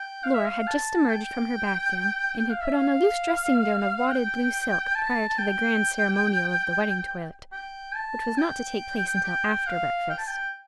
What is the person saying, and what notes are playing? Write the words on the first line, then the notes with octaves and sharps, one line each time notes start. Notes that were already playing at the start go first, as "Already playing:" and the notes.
Laura had just emerged from her bath room, and had put on a loose dressing-gown of wadded blue silk, prior to the grand ceremonial of the wedding toilet, which was not to take place until after breakfast.
Already playing: G5
F5
E5
F5
A5
G5
G5
F5
E5
F5
G5
A5
A5
G5
G5
A5
G5
G5
F5
G5
A5
G5